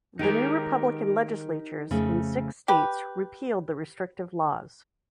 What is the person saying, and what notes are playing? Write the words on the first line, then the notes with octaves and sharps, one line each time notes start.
The new Republican legislatures in six states repealed the restrictive laws.
D#3 G#3 D#4 G4 A#4
F2 C#3 A3
G4 B4